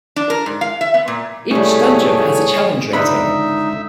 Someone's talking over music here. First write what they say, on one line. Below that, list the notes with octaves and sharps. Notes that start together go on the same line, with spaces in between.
Each dungeon has a "challenge rating".
D4
A#4
G#2
F5
E5
B3
A#2
A2 C3 G3 A3 G#4 C#5
C#2 D3 D#4 E5 B5